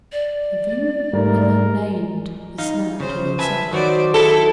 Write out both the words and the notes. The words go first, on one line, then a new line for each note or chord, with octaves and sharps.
"Have you ever named this man to yourself?"
D5
G#2 G3 A3 A#4
D#4 F5
C#3 C5
B4 E5 G#5 A5
D#3 F#3 F#4 C5 D5
E4 A4